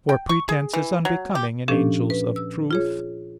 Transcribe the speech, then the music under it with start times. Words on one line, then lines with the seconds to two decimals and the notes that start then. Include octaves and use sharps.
For pretence is unbecoming in angels of truth.
0.09 G5
0.29 C#6
0.49 G#4
0.73 E3
1.05 F#3
1.35 G4
1.68 A#2 F3 C#4 D4 G4 A4
2.10 B4
2.36 E6
2.71 F4 G#4 C#5